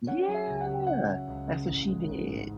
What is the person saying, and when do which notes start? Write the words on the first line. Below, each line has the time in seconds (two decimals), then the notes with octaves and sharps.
Yeah. That's what she did.
0.07 C#4 F#5
0.28 F#3
0.34 E5
0.48 C#2
0.61 F#5
0.67 C#3
0.87 C#4 F#5
1.08 F#3
1.27 C#2
1.47 C#3
1.67 A1
1.88 G#3
2.08 A1
2.27 G#2